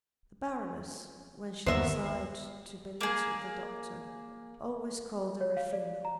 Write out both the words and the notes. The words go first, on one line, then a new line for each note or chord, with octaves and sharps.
The Baroness, when she desired to be-little the doctor, always called her a female.
G1 D#2 B3 A#4 C5 E5 C#6
A#3 G#4
C#5
F5
D5
A#5